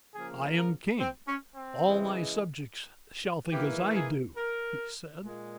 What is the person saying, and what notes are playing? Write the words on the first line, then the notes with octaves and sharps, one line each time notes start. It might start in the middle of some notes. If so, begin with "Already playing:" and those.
'I am king; all my subjects shall think as I do,' he said.
C#3 F3 A#3 G#4
A#4
C4
C#4
C4
C#3 E3 G#3
G#2 E3 A#3 G4
G#4
A#4
A#2 G#3